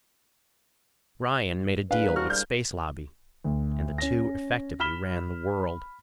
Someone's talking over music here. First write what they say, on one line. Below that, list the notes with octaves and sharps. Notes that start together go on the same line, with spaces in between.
Ryan made a deal with Space Lobby, and the two effectively ran the world.
D4 G#4 B4 F5
G3 A#4
F#4 C5 F6
G3 G6
D2
C#4 A#6
B5 F6 B6 E7 G7